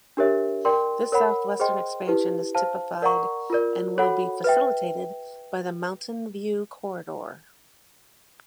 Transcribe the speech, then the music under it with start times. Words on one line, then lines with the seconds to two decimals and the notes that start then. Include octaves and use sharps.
This southwestern expansion is typified and will be facilitated by the Mountain View Corridor.
0.17 D4 G4 A#4 C#5 E5
0.65 A#4 D5 G5 C6
1.12 A#4 C#5 F#5 B5
1.60 G#4 C5 D#5 G5 C6
2.07 E4 G4 B4
2.55 C5 F5 A5
3.02 A#4 D5 F#5 A#5 C#6
3.50 F4 A#4 D5
3.98 F#4 A4 C#5 F#5 B5
4.44 B4 E5 G5